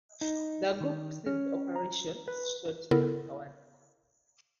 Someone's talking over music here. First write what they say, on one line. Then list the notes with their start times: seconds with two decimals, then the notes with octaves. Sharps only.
The group ceased operations shortly afterwards.
0.21 D#4
0.80 D#3
1.26 C#4
1.76 A#5
2.28 B4
2.91 C#3 B3 E4 A4 A#4